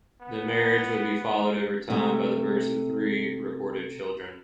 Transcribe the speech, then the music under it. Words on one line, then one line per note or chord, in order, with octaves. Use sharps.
The marriage would be followed over time by the births of three recorded children.
B3
C3 A3